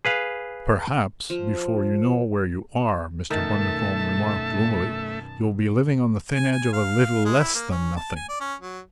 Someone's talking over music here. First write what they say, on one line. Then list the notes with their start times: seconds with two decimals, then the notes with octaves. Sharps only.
"Perhaps, before you know where you are," Mr. Bundercombe remarked gloomily, "you'll be living on the thin edge of a little less than nothing!"
0.05 G#4 B4 F5
1.30 F3
3.30 F#2 B2 D#3 A3 E5 A5
6.35 G#5
6.52 G#5
6.73 F5
7.25 G#3
7.40 E4
7.55 A#3
7.71 C#4
7.97 A5
8.16 G#5
8.29 D5
8.41 C#4
8.61 F#3